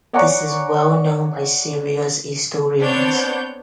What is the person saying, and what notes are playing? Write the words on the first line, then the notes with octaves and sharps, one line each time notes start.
This is well known by serious historians.
C#5 D5 F#5 G#5 A#5 C#6
B3 C4 D4 C#5 G6